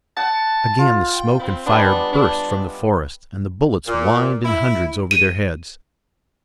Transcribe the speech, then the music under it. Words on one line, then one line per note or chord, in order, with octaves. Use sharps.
Again the smoke and fire burst from the forest, and the bullets whined in hundreds over their heads.
F#5 A5
F4
G5
C4 B5
G3 G#3 B3 D4
D4
A#2
E4
D#7